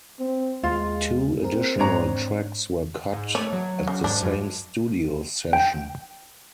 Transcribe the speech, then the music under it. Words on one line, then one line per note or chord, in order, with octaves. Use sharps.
Two additional tracks were cut at the same studio session.
C4
D#2 G#3 F4
C4 G#4 A#4
G#2 D4 C#5 A#5
G#2
A3 C#5
F#3
C#3
G#2 D4
F#2
G5